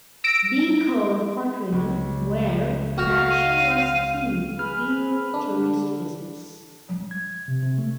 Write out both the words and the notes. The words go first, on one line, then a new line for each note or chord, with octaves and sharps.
B. Cole Pottery where production was key to fuel tourist business.
E6 A#6 D7
C#2
F#4 F5 F6
D#7
G#4 B4 F6
D3 D4
G#6
C3
C3
A3